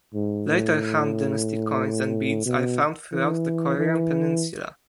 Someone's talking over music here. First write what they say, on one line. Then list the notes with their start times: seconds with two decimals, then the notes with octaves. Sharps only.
Later Han dynasty coins and beads are found throughout the Korean peninsula.
0.14 G#2
0.48 A2
2.46 B2
3.12 E3
3.77 E3